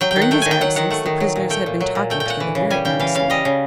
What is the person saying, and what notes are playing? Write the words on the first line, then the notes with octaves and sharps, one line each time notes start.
During his absence the prisoners had been talking together very earnestly.
F#3 G5
G5
D#3
F#5
A3 G5
D#3 G#5
G5
F#3 F#5
D#3 F#5
A3 F#5
D#3
F#3
A#2
A3 G5
A#2
F#3
A#2
A3 G5
G5
A#2 F#5
E3
C#3
G3 G#5
C#3 G5
E3 F5
C#3 F5
G3 D#5
C#3